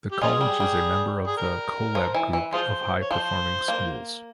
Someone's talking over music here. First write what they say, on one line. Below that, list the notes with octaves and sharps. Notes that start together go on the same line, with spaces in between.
The college is a member of the Collab Group of high performing schools.
G4
G#3 C#4 F4 G#4
G3
G3
G#4
A#4
F3
E3
E3
F3 F4 G#4 C5
C#5
F3 C5
A#3